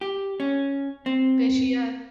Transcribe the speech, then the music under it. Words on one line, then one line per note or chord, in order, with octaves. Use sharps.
Did she uh
G4
C#4
C4